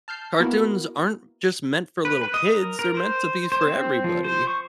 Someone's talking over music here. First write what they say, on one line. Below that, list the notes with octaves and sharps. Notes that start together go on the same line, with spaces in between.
cartoons aren't just meant for little kids, they're meant to be for everybody.
A5 F6 G6 C7
A#3 B3 E4 F#4 A#4
B4
B4
D#5
A#4
A#4
C5
C5
C4
F3
C5
C#6